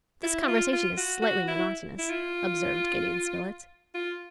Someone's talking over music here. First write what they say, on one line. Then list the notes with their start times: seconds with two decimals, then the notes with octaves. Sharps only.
"This conversation is slightly monotonous," observed Gideon Spilett.
0.23 E4
0.48 F4
0.73 F4
0.97 F#4
1.22 F#4
1.48 E4
1.98 E4
2.10 F4
3.95 F4